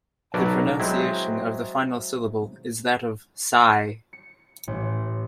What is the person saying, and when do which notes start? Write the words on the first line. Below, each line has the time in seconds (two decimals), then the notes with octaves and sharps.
The pronunciation of the final syllable is that of "sigh".
0.34 B1 F#3 A#4 B4 D5 A5
0.79 F#3 G#3 C4 E4
4.13 C#7
4.67 A1